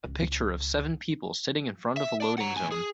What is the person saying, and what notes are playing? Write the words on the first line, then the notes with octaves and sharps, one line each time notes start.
A picture of seven people sitting in front of a loading zone.
C#2
E5
D5 A5
F#5 A#5
A2 G#5
G#4